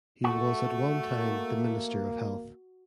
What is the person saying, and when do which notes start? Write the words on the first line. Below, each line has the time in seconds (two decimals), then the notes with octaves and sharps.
He was at one time the Minister of Health.
0.24 A3 F#4
1.13 A#3